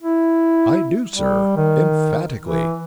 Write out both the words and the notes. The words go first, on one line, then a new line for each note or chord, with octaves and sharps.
"I do, sir, emphatically."
E4
G3
D#3
E3